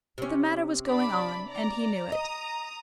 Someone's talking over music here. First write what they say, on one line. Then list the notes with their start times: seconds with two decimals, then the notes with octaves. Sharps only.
But the matter was going on, and he knew it.
0.18 C3 C#4
0.88 D4 D5 B5
1.48 D5 A#5
2.12 D#5 A#5 D#6